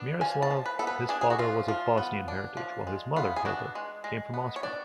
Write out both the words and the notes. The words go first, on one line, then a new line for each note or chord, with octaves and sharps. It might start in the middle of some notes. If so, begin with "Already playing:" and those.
Miroslav, his father was of Bosnian heritage while his mother, Hilda, came from Austria.
Already playing: B3 D4
F3 G#5
A5
F3
B4
B3 A4
B4
D4 G#4
G#4
F#4
F3 F4
F3 F4
B3
D4
F3
G#3
B3 F4
G#4
D4 F#4
G#3
G#3
B3
C#5
D4 D5